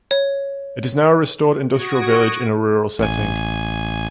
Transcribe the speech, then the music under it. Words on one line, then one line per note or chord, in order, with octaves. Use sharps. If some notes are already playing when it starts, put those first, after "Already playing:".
It is now a restored industrial village in a rural setting.
C#5
F#4 C#6 D#6 G#6 A#6 D7
A1 G#5